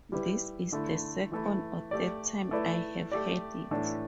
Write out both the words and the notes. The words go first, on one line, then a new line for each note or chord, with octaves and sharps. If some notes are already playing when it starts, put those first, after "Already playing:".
This is the second or third time I have had it.
G3 E4 G4 B4
D3 A3 E4
E3 A3 E4
A3 G4 D5
A3 E4 B4 D5
A3 G4 D5
A2 E3 A3 D4